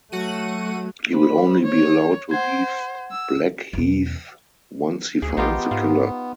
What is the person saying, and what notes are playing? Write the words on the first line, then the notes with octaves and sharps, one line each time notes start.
He will only be allowed to leave Blackheath once he finds the killer.
F#3 A3 F#4 F#5 D#7
C5 B5
C#5
C5 F#5 G#6
E6
E2 B2
D2 G#4
A#1 B3 D#4 F4 G4
G#2 F4